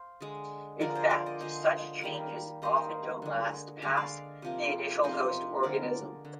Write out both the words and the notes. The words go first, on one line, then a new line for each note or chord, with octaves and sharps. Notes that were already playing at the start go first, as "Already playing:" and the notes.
In fact, such changes often don't last past the initial host organism.
Already playing: C5 F5
D3 G#3
D3 F3 G#3 A#4 D5
G#4 C5
A#4 D5
C5 D#5
D3 F3 G#3 C5 D#5
D#3 G3 A#3
D#3 G3 A#3 C5 D#5
D3 G#3
D3 G#3 F5
D5 F5
C3 F3 A#3
C3 F3 A#3 C5 D#5
D3 G#3 A#4 D5
D3